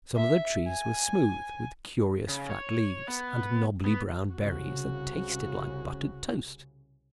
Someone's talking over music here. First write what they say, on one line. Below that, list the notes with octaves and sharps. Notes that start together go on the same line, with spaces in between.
Some of the trees were smooth, with curious flat leaves and knobbly brown berries that tasted like buttered toast.
E5
G#5
C#3
C#5
B3
B3
C2 C#3 F#4